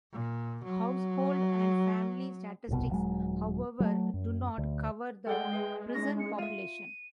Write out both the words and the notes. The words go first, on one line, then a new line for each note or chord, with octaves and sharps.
Household and family statistics, however, do not cover the prison population.
A#2
F#3
D1 G1 C2 B2
D#1 F#3 G#3
F#3 G3 A3
F#2
D2
G#3 A4 D5 F#5 G5
G#4 B4 E5
C#4 D#4 E4 A#6
C#7
F4 E5 D#7